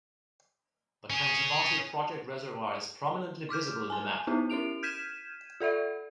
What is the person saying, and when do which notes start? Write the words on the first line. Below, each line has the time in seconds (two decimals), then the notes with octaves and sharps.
The Kangsabati project reservoir is prominently visible in the map.
1.10 C#4 G#4
3.49 C6 D6 F6 G6
3.90 G#5 A5 C6
4.27 B3 D#4 E4 G4
4.50 C#4 E4 G4 D7 F7
4.83 F6 G6 G#6 B6 D#7 E7
5.60 F4 A4 D5 E5